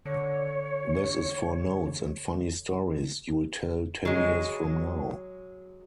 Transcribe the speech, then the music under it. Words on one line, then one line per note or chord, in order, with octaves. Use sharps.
This is for notes and funny stories you’ll tell ten years from now.
D3 C#5
F#3 G#3